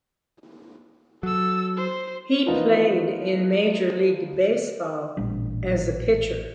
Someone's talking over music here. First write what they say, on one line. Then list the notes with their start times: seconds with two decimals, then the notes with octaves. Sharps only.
He played in Major League Baseball as a pitcher.
1.23 F#3 A4 E6
1.77 C5
2.46 E3 F3 A#3 B3 D#4 F4
5.17 A1 A#2 G3 D4